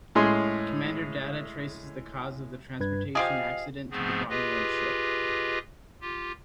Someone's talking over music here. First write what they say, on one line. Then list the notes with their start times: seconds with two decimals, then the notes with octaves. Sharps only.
Commander Data traces the cause of the transportation accident to the Romulan ship.
0.15 A2 G#3 C#4 G#4 C6
2.80 G2 B4 G#6
3.15 F3 G4 G#4 D#5 F5
3.91 G#2 F3 A3 B3 C4 G#4
4.29 F4 G4 G#4 B4 D#5
6.01 F4 G4